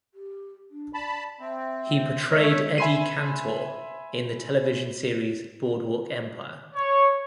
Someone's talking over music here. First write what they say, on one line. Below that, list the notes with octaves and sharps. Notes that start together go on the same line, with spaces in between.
He portrayed Eddie Cantor in the television series "Boardwalk Empire".
G4
D4
D5 A5 B5
C4 E5
G#3 A3 C#5 E5
E5 G#5 B5 C6 C7 D#7
C#5